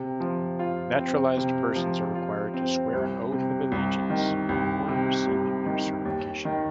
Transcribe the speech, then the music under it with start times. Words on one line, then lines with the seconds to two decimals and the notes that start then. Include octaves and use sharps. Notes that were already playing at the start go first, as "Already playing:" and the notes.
Naturalised persons are required to swear an oath of allegiance before receiving their certification.
Already playing: C3
0.20 F3
0.59 F4
0.98 C4
1.37 C3
1.76 F3
2.15 F4
2.54 C4
2.93 C2
3.32 C3
3.72 C2
4.10 D#3
4.49 C2
4.89 C3
5.27 C2
5.66 D#3
6.05 D#2
6.45 D#3